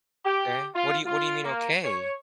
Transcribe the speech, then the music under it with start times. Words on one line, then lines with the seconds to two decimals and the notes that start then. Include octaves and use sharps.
Okay, what do you what do you mean, okay?
0.24 G4
0.74 F4
1.06 F4
1.43 A#3
1.84 C#5